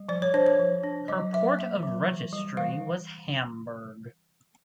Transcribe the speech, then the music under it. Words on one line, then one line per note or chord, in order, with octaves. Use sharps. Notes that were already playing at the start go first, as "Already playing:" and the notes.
Her port of registry was Hamburg.
Already playing: G3
F3 D5
C#5
D4 C5
C#5
F3
D4
F#3 D#5
F#3 E5
A#3 E5
F#3
E3
G3
E3 F5